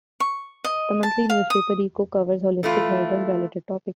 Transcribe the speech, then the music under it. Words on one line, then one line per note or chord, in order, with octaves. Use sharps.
The monthly newspaper "Echo" covers holistic health and related topics.
C#6
D#5
A5
F5
D#6
E3 A3 E4 F4